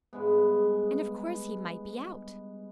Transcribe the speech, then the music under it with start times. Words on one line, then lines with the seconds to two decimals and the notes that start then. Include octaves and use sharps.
And of course, he might be out.
0.13 G2 G#3 B3